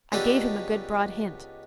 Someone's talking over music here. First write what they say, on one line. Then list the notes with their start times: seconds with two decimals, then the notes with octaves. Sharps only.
I gave him a good broad hint.
0.12 C#2 B3 D4 D#4 G4 A4